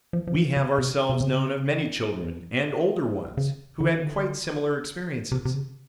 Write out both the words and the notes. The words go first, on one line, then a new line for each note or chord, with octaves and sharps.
We have ourselves known of many children and older ones who had quite similar experiences.
F3
F3
E3
C#3
C3
C3
C#3
C#3
D3
D#3
D3
C3
C3
C#3